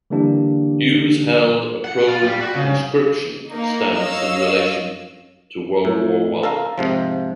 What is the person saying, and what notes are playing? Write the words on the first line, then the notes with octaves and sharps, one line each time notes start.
Hughes held a pro-conscription stance in relation to World War One.
D3 E3 G3 A#3 D4 G4
F#5
F4
G3
F#4
C#3
A#3 D#4
C#5 D#5 F5 E6
A2
A4 A#4 F5
G#2 C3 F3